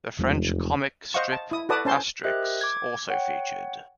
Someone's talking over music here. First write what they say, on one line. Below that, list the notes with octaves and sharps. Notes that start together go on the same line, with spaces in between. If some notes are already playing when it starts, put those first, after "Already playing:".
The French comic strip "Asterix" also featured.
F1 E2 G#3 C4
C5 D#5 F5 F#5 C#6
A5
E4 D#6
F#4 A4 B4 D5 A5 D#6
C#4 C5 A5 C6
G4 A#4 C5 D#5 E5 F#6
D6 G#6
C#5 F#5 G5